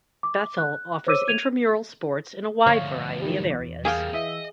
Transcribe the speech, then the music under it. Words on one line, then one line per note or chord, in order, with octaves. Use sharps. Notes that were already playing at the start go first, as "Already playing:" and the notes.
Bethel offers Intramural sports in a wide variety of areas.
D6
F#6
C5 C#5 D6 E6 D#7
G#6 D#7 F7
D2 F3 C#5 F5
D#3 E3 G3
E2
G3 A#3 G#4 F5 G5
E3 D#5 E5